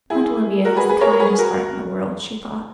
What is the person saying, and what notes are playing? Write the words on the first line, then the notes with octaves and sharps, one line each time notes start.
Aunt Olivia has the kindest heart in the world, she thought.
E4 G#4
F#4 A#4
G#4 B4
G#4 B4
A#4 C#5
A#4
G#4 B4
F#4 A#4